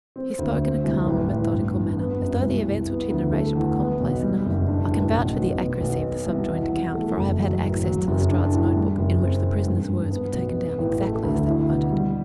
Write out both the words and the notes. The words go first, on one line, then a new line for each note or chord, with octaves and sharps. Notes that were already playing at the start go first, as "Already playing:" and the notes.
He spoke in a calm and methodical manner, as though the events which he narrated were commonplace enough. I can vouch for the accuracy of the subjoined account, for I have had access to Lestrade's note-book, in which the prisoner's words were taken down exactly as they were uttered.
C4
D2
C4
C2
A1
A1
G2
G2
B3
F#2
C2
C2
B3
D2
A3
E2
B3
B1
G3
F#1
D4
A1
B1
B1
B3
B1
B3
C2
E2
E2
A3
F#1
F#3
A1
F#3
F#1
D4
A2
G3
F#1
C4
B2
G2
G2
B3
B1
B3
A1
A3
D2
E4
B2
G3